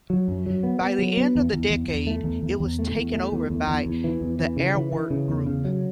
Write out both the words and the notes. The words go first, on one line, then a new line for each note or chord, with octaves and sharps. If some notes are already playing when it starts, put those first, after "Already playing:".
By the end of the decade, it was taken over by the Airwork group.
F#3
F#2
F#3
B3
B3
F#3
B3
E2
E2
E2
E2
A3
E2
E2
E2
A3
E2
A3
E2
E2
E2
E2
E3
E2
E3
C#3
E3
E3
C#3
E2
C#3
F#3